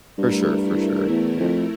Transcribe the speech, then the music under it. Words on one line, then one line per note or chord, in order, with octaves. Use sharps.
For sure, for sure. Yeah.
G2 A3 E4 A#4
E2
F2